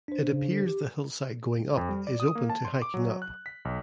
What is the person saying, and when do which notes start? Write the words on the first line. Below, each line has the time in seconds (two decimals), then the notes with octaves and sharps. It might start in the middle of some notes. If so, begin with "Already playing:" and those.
It appears the hillside going up is open to hiking up.
0.08 D4 C5
0.23 C#3
0.49 D3
0.65 G4
1.77 F2
1.89 G3
2.07 D5
2.20 D#6
2.35 A#3
2.50 A5
2.65 C6
2.82 D6
2.94 F#3
3.22 F#6
3.46 B6
3.65 B1